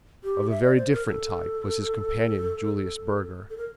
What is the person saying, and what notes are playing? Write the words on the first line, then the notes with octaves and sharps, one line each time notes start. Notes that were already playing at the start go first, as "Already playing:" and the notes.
Of a very different type was his companion, Julius Burger.
G4
E5
D5
C5
A#4
A4
A4
A#4